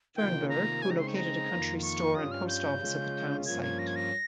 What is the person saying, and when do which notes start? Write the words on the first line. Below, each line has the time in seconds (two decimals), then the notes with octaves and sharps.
Furnberg, who located a country store and post office at the town site.
0.16 C3 D#3 A#3 F4 G5
0.49 A#5
0.82 C#3 G#3 C4 D#4 G#5
0.91 A#5
0.99 C6
1.07 C#6
1.15 A#5
1.48 F2 D#3 A#3 F4
1.82 C#6
2.14 G2 G3 C#4 F4 D#6
2.31 F6
2.48 G6
2.80 C#3 G#3 C#4 F4
3.46 G2 F3 A#3 C#4 F4 G#6
3.62 G#6
3.79 A#6
3.87 G#6
3.96 A#6